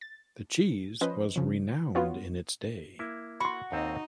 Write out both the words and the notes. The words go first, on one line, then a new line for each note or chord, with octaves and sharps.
The cheese was renowned in its day.
A6
F3 C#4 B4 C5 D#5
C#3 F3
B3 C#4 F4 F#4 C#5
A#3 E4
F#4 B5 C6
D#2 C4 D#4 A5